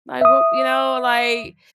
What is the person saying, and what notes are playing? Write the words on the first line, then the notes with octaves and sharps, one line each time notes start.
like, what" you know? Like,
E5 D#6